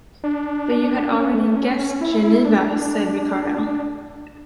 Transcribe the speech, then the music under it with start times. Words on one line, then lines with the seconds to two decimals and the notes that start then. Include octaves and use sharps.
"But you had already guessed 'Geneva,'" said Ricardo.
0.24 D4
1.13 C#4
1.34 A3
1.56 C#4
1.79 C#4
2.01 E4
2.23 E4
2.45 D4
2.68 D4